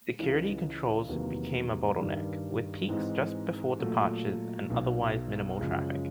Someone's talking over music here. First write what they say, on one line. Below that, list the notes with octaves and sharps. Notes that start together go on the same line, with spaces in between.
Security controls became a bottle-neck, with peaks just before departures and otherwise minimal traffic.
C#2 C#3 E3 G#3
E2 C3 D#3 F#3 A#3
G2 D#3 G3
G#2 E3 G#3 C4 D#4
A#2 F#3 A3
B1 B2 F#3
F#2 C#3 F3 G#3